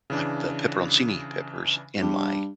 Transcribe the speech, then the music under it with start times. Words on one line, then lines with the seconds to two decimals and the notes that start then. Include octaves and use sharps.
like, the peperoncini peppers in my,
0.10 C#3 E3 D4
2.02 G2